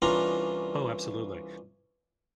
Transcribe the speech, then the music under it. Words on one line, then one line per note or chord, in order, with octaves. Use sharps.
Oh, absolutely.
C2 E3 C#4 D4 F4 A#5